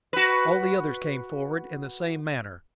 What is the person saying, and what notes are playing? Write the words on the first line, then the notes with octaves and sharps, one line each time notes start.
All the others came forward in the same manner.
F#4 B4